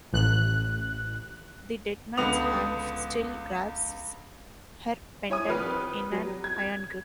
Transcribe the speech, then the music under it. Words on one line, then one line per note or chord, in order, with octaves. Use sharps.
The dead man's hand still grasps her pendant in an iron grip!
A1 F#6
C#2 D3 B3 D#6 F7
E4 C#5 G#5 D#6
G#1 F3 G3 B4 F6
F#3 G3
G#6